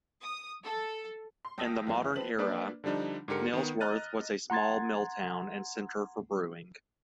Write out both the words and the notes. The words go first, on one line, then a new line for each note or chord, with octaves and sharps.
In the modern era Nailsworth was a small mill town and centre for brewing.
D#6
A4
C6
C#2 G5 A5 D#6 E6 A#6
F#2 E3 A3
E3 E4
F3 C4 B4 A5 F#7
A#3 D4 B4 D5
D3 F3 G3 D4 D#4
G#2 D3 G4 A#4 C#7
D#3 B3
D#5 A#5 F6 F#6 A6 D#7
F#5 A#5 C6 G#6 A6